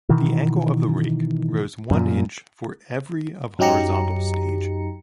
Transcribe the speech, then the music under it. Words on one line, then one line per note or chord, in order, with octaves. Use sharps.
The angle of the rake rose one inch for every of horizontal stage.
B2 D#3 E3
F#2 A#2
F#2 F#3 D#4 G4 A#5 C#7